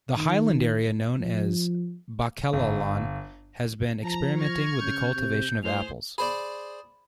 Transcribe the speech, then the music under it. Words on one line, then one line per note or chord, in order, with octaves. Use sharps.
The highland area known as Ba'Kelalan has been experimenting with the cultivation of apples.
D#3
F3
G1
F3 A5 A#5
C#6 F6 G#6 A#6
C#3 G6
C3
A2 G#4 C5 F7
G#4 C5 D5 B5